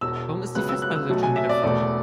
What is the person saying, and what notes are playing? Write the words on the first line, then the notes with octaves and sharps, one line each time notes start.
Warum ist die Festplatte denn schon wieder voll?
E1 E2 B2 E6
C#2 C#3 F#3 B3 F#6
E6
F#6
E6
B1 B2 F#3 A3
G#5
E5
D5
E1 E2 B2 A3 D5